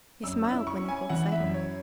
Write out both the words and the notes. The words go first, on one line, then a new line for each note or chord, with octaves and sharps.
He smiled when he caught sight of her.
F#2 E6
E6
E4
C#6
C#4
G#5
E3 F#5
E5
F#2
C#5